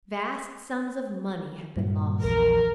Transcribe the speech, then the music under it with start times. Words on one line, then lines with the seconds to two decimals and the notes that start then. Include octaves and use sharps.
Vast sums of money have been lost.
1.76 G2 A#2 F#3
2.23 A#1 E2 A#4